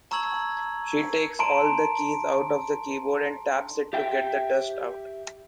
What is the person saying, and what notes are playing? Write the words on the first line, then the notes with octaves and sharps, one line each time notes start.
She takes all the keys out of the keyboard and taps it to get the dust out.
A5 A#5 C#6 E6 G#6 F#7
A5 A#5 C6 D7
G4 E5 G5